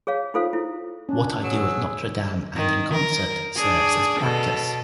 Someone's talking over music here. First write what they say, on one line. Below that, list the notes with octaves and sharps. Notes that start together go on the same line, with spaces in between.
'What I do at Notre-Dame and in concert serves as practice.
G#4 C#5 F5
D#4 F4 A4 C5 F5
E4
C#4 D4
F#3 G#4 E6
D#3
A#4
D4 G#4
B2 A4